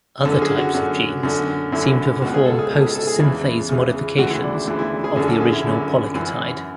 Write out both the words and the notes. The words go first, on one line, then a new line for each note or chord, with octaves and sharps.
Other types of genes seem to perform post-synthase modifications of the original polyketide.
F#2 D3 A4
G#4
F#4
F#2 D3
F#2 D3
F#2 D3 E4
C#2 B2 F#4
G#4
A4
G#4
C#2 B2 A4
G#4
A4
G#4
E2 C#3 E3
E2 C#3 E3
D2 C#3 E3 F#4
E4
D4
E4
D2 C#3 E3 E4
E4
G#4
F#2 D3 G#4
A4
G#4
E4
F#2 D3
F#2 E3